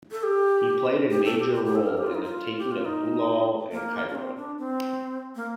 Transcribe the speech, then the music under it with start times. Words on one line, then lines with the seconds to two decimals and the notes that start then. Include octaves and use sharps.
He played a major role in the taking of Bulal and Cairo.
0.11 A4
0.23 G4
1.11 G4
1.25 A4
1.39 G4
1.54 G4
1.65 G4
1.76 A4
1.87 A#4
1.97 G4
2.07 F4
2.15 D#4
2.24 F4
2.58 G4
2.72 F4
2.85 D#4
3.72 A#3
4.09 D4
4.15 C4
4.37 D4
4.58 C4
5.36 A#3